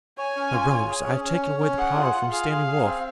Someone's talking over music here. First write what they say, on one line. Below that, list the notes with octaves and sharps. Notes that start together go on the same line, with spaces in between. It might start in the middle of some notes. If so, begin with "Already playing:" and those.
My brothers, I have taken away the power from Standing Wolf.
C#5 G#5
C#4
F4
C#5
G#4
C#4
C#4
C#5
C#4
G#4 F#5
F4
F4
G#4 F5
G#4
G#4
C4